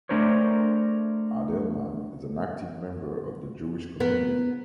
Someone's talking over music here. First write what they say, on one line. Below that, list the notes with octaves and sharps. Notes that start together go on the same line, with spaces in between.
Adelman is an active member of the Jewish community.
A3 D4 A#4 C5 C#5
B3 A#4